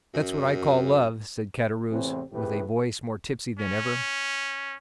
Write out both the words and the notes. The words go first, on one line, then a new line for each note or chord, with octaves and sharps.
"That's what I call love!" said Caderousse with a voice more tipsy than ever.
F#2
E2 A2 C3 E3 C4
D#2 A2 C3 G4 G#4 B4
C#4